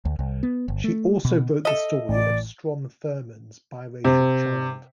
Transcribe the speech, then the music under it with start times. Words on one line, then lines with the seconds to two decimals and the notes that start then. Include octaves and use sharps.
She also broke the story of Strom Thurmond's biracial child.
0.05 D2
0.19 C2
0.43 B3
0.68 G1
0.84 A3
1.25 B2
1.65 A4 D#5 E5
2.09 A1 A2 D5
4.04 C3